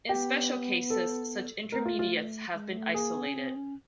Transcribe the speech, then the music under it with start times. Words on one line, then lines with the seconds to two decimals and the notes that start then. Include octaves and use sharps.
In special cases, such intermediates have been isolated.
0.09 B3 G4
0.90 A4
1.72 A3 A#4
1.86 F4
1.99 F4
2.53 G#3
2.74 A3
2.94 A#3 G#4
3.14 B3
3.27 C#4
3.35 C4
3.56 C#4